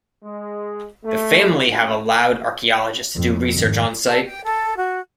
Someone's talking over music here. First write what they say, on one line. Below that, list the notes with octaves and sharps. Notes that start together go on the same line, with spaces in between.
The family have allowed archaeologists to do research on site.
G#3
A3
A1
F2
G#1
A4
G5
A4
F#4